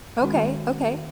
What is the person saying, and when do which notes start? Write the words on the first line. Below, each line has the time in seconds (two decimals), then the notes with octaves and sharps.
Okay, okay.
0.21 D#3 G#3 C#4 F#4